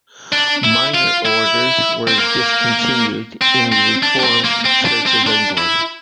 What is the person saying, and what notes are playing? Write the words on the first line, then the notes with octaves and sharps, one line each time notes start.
Minor orders were discontinued in the reformed Church of England.
D4
E4
F4
E4
C4
A#3
C4
C4
D4
D4
C4
A#3
C4
D4
C4
D4
E4